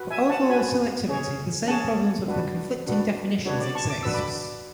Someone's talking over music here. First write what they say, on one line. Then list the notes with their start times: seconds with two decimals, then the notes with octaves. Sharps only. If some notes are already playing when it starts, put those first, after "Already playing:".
For overall selectivity the same problem of the conflicting definitions exists.
Already playing: F#4 B4
0.11 E5 G#5
0.30 F#5 A5
0.49 F#4 B4 G#5 B5
1.08 C#4 G#4 C#5
1.67 C#4 G#4 C#5 F#5 A5
2.27 D4 F#4 B4
2.87 D4 F#4 B4
3.45 D4 F#4 B4 C#5
3.60 D5
3.75 A5 C#6
3.90 D6
4.03 D4 F#4 B4 E6
4.14 B5 D6